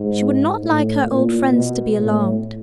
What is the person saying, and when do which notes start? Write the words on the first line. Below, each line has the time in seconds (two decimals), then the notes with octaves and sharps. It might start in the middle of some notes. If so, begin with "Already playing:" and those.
She would not like her old friends to be alarmed.
Already playing: G#2
0.63 A2
1.07 A#2
1.52 B2
1.97 A2